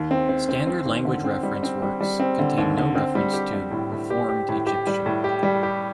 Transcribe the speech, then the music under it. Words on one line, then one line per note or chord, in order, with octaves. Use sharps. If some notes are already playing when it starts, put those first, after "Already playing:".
Standard language reference works contain no reference to "reformed Egyptian".
Already playing: D#2
C4
C4
C4
C4
D#2
D3
C4
G3
C4
G3
G3
C4
D3
D#2
D3
C4
G3
G4
G3
A2
A2
G4
G4
A2
G4
G3
A2
G4
G3
G4